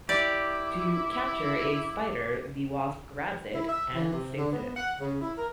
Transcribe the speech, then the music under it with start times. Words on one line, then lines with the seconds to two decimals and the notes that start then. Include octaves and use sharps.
To capture a spider, the wasp grabs it and stings it.
0.09 E4 G4 D5 D6
3.54 E4
3.69 E5
3.95 E3
4.13 C3
4.38 D3
4.53 B3
4.76 F#5
5.01 C#3
5.22 E4
5.38 A#4